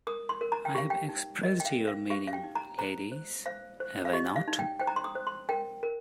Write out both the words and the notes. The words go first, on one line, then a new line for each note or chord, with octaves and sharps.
I have expressed your meaning, ladies, have I not?
A#4 D#6
C6
A#4
A#5
G5
G4 F5
G5
D#4
A#4 D#5
G5
F5
A#4
F5
G4 F5
F5
G5
D#4
A#5
C5 A#5
C5
C5 F5
C5
F5
G4 D#5
F5
D#4
G5
C5 G5
A#5
C6
D#6
C5
C6
A#4 G5
A#4